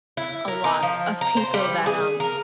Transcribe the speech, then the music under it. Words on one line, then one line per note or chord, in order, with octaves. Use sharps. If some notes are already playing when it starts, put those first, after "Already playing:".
a lot of people that, um,
E4
A#4
D#4
F3
A#5
C5
G3
G#4
A#4